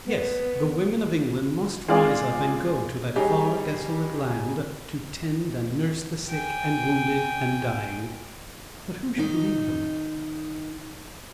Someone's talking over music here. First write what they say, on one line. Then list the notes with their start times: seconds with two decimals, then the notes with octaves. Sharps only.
Yes, the women of England must rise up and go to that far, desolate land to tend and nurse the sick and wounded and dying; but who should lead them?
0.05 B3
1.88 G#3 C4 F4 G#4 D5 F5
3.16 F#3 G3 C#4 D#4 G4 G#4
6.29 G5 G#5
9.18 D#3 D#4